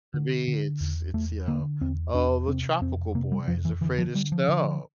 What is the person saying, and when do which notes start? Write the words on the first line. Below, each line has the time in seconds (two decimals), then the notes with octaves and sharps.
To me it's it's, you know, "Oh, the tropical boy is afraid of snow,"
0.14 D3
0.48 D3
0.81 E2
1.14 E2 A3
1.48 D3 A#3
1.81 E2 C4
2.14 E2 D4
2.48 C3 C4
2.81 F2 C4
3.15 C3 A#3
3.32 G3
3.48 F2 F3
3.65 E3
3.81 D3 E3
3.98 F3
4.15 D3 G3
4.32 F3
4.49 D3